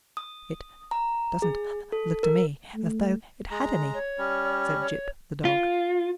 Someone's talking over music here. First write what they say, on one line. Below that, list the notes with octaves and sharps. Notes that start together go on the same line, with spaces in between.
"It doesn't look to me as though it had any," said Jip, the dog.
D#6
A#5
G#4
A4
A#4
A3
G#3 A#5
C#5
G3 C#4
C#5
F4